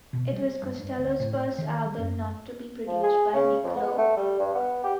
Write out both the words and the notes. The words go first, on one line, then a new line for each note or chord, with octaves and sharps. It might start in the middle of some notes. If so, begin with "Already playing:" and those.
It was Costello's first album not to be produced by Nick Lowe.
B2
G3
G2
G2
D2
A2
D#3
G3
F#2
F3
G#4
C#3
F2
B3
A3
G3
G2
B3
G4